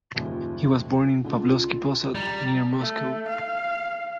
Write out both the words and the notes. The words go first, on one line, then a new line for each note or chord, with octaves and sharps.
He was born in Pavlovsky Posad near Moscow.
F#1 D#2 G3 F4
C#2 D3 F4
G3 A#5
A3
F5